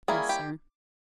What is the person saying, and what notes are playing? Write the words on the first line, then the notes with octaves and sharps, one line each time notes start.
"Yes, sir."
G3 A#3 C#4 E4 G#4
G4